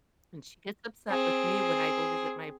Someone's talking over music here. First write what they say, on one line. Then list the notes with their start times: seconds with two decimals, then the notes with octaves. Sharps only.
and she gets upset with me when I go visit my
1.10 C4 G#4